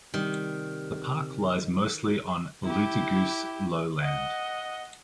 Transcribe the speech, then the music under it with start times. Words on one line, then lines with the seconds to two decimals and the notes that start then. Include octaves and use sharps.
The park lies mostly on Alutaguse Lowland.
0.14 C3 D#3 G3
2.64 E4 G4
4.01 D#5 F#5